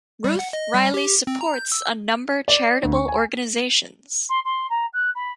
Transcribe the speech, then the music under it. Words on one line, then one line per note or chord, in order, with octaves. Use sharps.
Ruth Riley supports a number charitable organizations.
G3
F#5
D#5
G3
G4
C4
A#5
G6
E6
D5
D2
C#6
G#5
C6
C6
A#5
F#6
B5